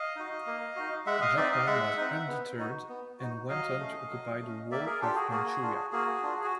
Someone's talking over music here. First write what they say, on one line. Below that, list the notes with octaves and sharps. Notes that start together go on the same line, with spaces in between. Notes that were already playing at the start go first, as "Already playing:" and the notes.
Japan was undeterred and went on to occupy the whole of Manchuria.
Already playing: D#5 F5
D#4 F#4
A#3
D#4 F#4
G#3 E5 F#5
D#5 F5
C4 D#4 D5 E5
D#5 F5
G#3 E5 F#5
C4 D#4
B3
D#4 F#4
B3
D#4 F#4
F#3 D#5 F5
A3 C#4
F#3
A3 C#4
A#3 D5 E5
G#4 A#4
D4 F4 G4 A4
F#4 G#4
A#3 F#4 G#4
D4 F4
A#3 F#4 G#4
D4 F4
F#4